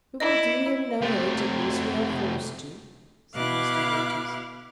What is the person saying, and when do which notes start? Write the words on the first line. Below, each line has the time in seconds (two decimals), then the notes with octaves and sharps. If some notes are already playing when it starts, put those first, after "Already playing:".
"We will do him no hurt unless we are forced to," said Mr. Waters.
0.20 E4 D#5
1.01 C3 A3
3.35 B2 E4 F5 D6 F#6